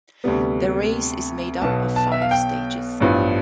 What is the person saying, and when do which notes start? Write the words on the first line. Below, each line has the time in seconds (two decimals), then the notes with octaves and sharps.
The race is made up of five stages.
0.24 D2 C3 G3 B3
1.61 B1 B2 B3 A5
1.96 A5
2.12 E5
2.22 F5
2.31 G5
3.00 A1 G2 F3 B3